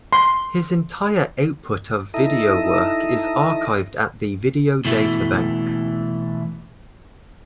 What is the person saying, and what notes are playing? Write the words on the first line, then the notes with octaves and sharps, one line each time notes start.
His entire output of video work is archived at the Video Data Bank.
C6
D#4 E4 A4 E5 A#5 D#6
B2 E3 A3